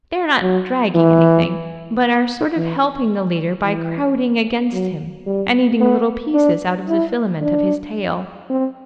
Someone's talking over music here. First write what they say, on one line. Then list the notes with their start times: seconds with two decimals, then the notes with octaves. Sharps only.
They are not dragging anything, but are sort of helping the leader by crowding against him and eating little pieces out of the filament of his tail.
0.41 F#3
0.95 E3
2.57 E3
3.65 E3
4.72 F#3
5.26 G3
5.80 B3
6.35 D4
6.88 E4
7.42 D4
8.50 C4